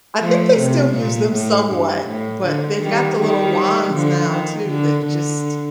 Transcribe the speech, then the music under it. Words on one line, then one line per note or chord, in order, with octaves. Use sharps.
I think they still use them somewhat, but they've got the little wands now too that just
F3 A3
C3
A#2
A2
G2
A2
D3
D#3 G3
D#3 G3
D3 F3
D#3
D3
D3